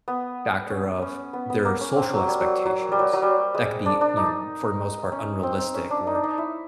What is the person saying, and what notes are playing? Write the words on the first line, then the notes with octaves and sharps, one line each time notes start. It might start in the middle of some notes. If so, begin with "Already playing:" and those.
factor of their social expectations that could be, you know, for the most part unrealistic or
B3
C#4
C#4
B3
B3
A#3
C#4
C4
F#3
G3
F#3
F#3
G3
F#3
F#3
G3
G#3
D4
D4
D#4
C#4
C4
C4
C#4
D4
D#4
D4
D#4
E4